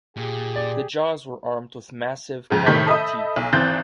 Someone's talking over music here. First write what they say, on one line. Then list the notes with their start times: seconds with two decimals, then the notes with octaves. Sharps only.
The jaws were armed with massive conical teeth.
0.17 A#2 G4 G#4
0.56 D5
2.50 F2 G#2 C#3
2.66 A2 C3 D#3 A4 G6 B6
2.86 A4 D#5 E5 B5 D#6
3.36 B1
3.53 G#1 E3 C4 F#6 G6 A6